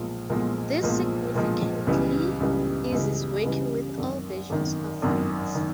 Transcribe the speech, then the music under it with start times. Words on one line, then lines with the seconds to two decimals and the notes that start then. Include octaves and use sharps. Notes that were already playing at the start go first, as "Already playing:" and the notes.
This significantly eases working with old versions of files.
Already playing: B1 A#2 F3 G#3
0.30 B1 A#2 F3 G#3
0.83 B1 A#2 F3 G#3
1.34 B1 A#2 F3 G#3
1.87 C#2 C#3 E3 G3 B3
2.40 C#2 C#3 E3 G3 B3
2.92 C#2 C#3 E3 G3 B3
3.45 C#2 C#3 E3 G3 B3
3.98 G#1 F#2 D#3
4.50 G#1 F#2 D#3
5.02 G#1 F#2 D#3
5.55 D#3